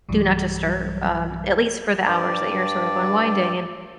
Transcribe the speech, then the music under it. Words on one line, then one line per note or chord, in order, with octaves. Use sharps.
Do Not Disturb, um, at least for the hours that you're sort of unwinding and
B1 G2 E3 F#3 G3
G2 D5